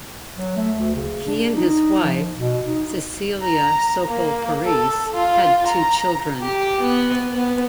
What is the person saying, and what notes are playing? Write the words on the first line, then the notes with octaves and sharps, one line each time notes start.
He and his wife Cecelia Sokol Parise had two children.
F#3
A3
D2
C#3
D4
D#4
F3
B2
D#4
A#5
A#3
A4
F4
A#5
G4
B3
B3